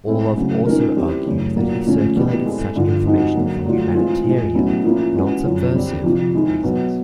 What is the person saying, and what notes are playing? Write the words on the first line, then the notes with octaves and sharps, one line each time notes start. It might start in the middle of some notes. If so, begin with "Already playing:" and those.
Orlov also argued that he circulated such information for humanitarian, not subversive, reasons.
G#3 C4 E4
C#3 F#3 A3
D#3 G#3 C#4 F4 A#4
E3 G3 C4 E4 G4
F#2 C#3 E3 A3
A#2 F#3 A#3 D4
D3 F3 A3 C#4
E2 B2 G3 B3 E4
G#3 C4 E4 A4
G2 D3 F3
F3 G#3 C4 D#4 F#4
D3 F#3 A#3
D3 F#3 A3 D4 F4
E3 G#3 C4 F4
A2 F3 G#3
B2 F#3 A3 C#4 E4
F3 A#3 C#4 E4
E3 G#3 C#4 F#4 B4
F#2 D3 F3
D3 G3 C4
F2 C3 F3
D#3 G#3 C4 E4
B2 F#3 B3